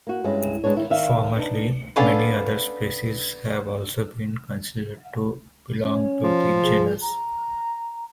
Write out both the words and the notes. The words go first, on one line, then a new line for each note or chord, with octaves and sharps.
Formerly, many other species have also been considered to belong to the genus.
A#3 F#4
G2 G#3 C#4 E4
G#3 B3 D4 C#5
D#3 E4
D#3 D5 E5 F5
B3 D4 D#4
B3 C#4 D4 A4 F5
C#4
F3
G#4
A#5